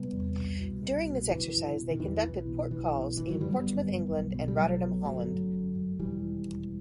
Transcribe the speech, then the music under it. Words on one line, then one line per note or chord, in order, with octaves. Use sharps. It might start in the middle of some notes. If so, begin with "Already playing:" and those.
During this exercise, they conducted port calls in Portsmouth, England and Rotterdam, Holland.
Already playing: C3 G3 B3
E2
C2
B2
C2
B2
F#1 E3
F#1
B2
D#3
E2 E3
B1 E3
B2
B1 E3
B2
G1 E3
D#3 F#3
F#2 E3 G3
G3 B3
G1
F#2
B1
B2
G3
B1 F#3 A3
B2
G1 F#3 A3
F#2
G1
F#2
E1 E3 G3
D#2
E1